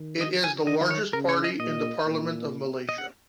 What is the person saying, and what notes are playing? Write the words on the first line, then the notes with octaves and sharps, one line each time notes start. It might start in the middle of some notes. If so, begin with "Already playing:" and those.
It is the largest party in the Parliament of Malaysia.
Already playing: D#3
D#5
G#5
D#3 D#5
C#5
C#3 A#4
C#5
D#5
A#2 D#5
A#2
D#5
F#5